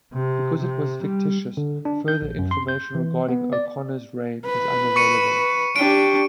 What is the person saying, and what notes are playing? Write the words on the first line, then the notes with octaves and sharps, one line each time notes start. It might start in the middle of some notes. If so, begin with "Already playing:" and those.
Because it was fictitious, further information regarding O'Connor's reign is unavailable.
C3
C3
G3
D3
D4
G6
A#1
F#2
C6
G6
E3
B3
D5
B4
C#6 C#7 D#7
D4 G4 D7